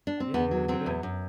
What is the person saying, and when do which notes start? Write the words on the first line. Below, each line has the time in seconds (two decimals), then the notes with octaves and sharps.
Yeah. You have a good day.
0.07 D4
0.20 C4
0.34 E2 B3
0.51 F#3
0.68 F#3 C4
0.86 E2
1.03 F#2